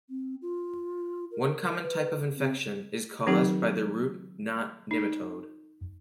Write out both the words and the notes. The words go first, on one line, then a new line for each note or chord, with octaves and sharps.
One common type of infection is caused by the root-knot nematode.
C4
F4
A#4
B4
C4
D#3 F#3 C4 D#4 G4 A4
D#4